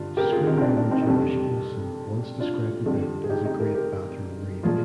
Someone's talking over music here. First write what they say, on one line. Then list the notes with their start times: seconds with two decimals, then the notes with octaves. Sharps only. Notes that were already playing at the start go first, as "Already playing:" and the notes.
Screenwriter Josh Olson once described the book as "a great bathroom read".
Already playing: G2 D3 F4
0.17 G4 A#4
0.32 F4 G#4
0.47 C4 D#4
0.57 C4
0.62 D4
0.77 D4
0.91 C4 D#4
1.02 D#4
1.07 F2 C3 G3 D4
2.40 D4 F4
2.85 F2 D3 G3
3.24 G#4
3.29 D#4 G4
3.45 D#4 G4
3.60 G4 A#4
3.74 G4 A#4
4.63 A#2 F3 G#3 F4 G#4